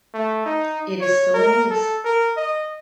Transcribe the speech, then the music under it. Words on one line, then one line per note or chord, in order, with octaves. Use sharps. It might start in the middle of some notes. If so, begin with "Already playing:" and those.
It is still in use.
A3
D#4
C#5
A#4
A4
A#4
D#5